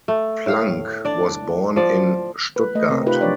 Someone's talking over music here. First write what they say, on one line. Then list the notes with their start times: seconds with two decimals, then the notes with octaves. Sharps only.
Planck was born in Stuttgart.
0.08 A3
0.46 A2 F5
1.05 D4 D5
1.76 F3 D5
2.56 B4
2.75 A3 D#5
2.89 C3 C4 A#4
3.06 D#4 F4 G4 B4
3.21 F3 F#3 D4 C#5 D5